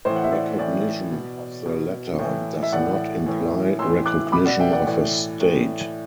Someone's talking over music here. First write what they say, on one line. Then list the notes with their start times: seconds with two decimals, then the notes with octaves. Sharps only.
Recognition of the latter does not imply recognition of a state.
0.05 A2 E3 C5
0.16 F#5
0.24 E5
0.32 D5
0.59 A2 E3 D5
1.12 B2
1.66 B2
2.19 A2 E3
2.63 E5
2.72 A2 E3 D5 F#5
3.26 A2 E3
3.79 A2 C6 E6
3.82 E3
4.05 D6 F#6
4.32 B2 B5 D6
4.46 D5 F#5
4.59 E5 G5
4.73 D5 F#5
4.86 A2 E3 D5
5.40 A2 E3